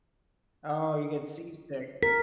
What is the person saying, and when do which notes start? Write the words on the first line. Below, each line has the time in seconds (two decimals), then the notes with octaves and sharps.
Oh, you get seasick.
2.03 A#4 B6